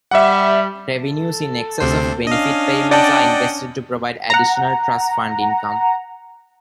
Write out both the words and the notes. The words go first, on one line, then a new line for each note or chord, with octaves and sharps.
Revenues in excess of benefit payments are invested to provide additional trust fund income.
G3 E5 F#5
A4
D2 C3 C5
C#4 D4 D#5 F5
D5 D#5 F#5 G5 A5
F#5 A#5